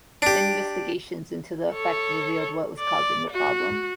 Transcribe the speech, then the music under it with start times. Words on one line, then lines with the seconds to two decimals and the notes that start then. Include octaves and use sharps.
Investigations into the effect revealed what was causing the problem.
0.22 D4 G4
1.72 A4 C#5
2.79 D5
3.30 F#4